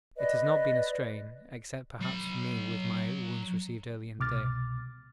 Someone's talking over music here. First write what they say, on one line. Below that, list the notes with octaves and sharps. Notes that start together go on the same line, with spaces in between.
It has not been a strain, except perhaps for me with my wounds received early in the day.
B4 D5 D#5
F#3 B5
C2 B2 D6 F6 A6